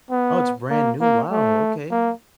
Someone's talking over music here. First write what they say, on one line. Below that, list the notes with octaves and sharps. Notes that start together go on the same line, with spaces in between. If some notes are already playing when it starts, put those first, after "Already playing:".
Oh, it's brand new, wow, okay.
B3
A#3
A#3
A3
A#3